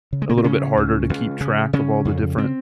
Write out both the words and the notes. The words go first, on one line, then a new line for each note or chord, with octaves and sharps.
a little bit harder to keep track of all the different
C#3
G#3
A#3
C4
C#3 C#4
C#2
C#2
C#3
C#3 C#4
F2
C4